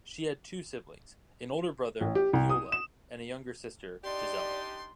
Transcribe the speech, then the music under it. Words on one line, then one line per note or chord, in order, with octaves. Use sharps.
She had two siblings - an older brother, Gyula and a younger sister, Gizella.
A1
G4
C2
D#6
E7
D4 D#4 G4 D5 C6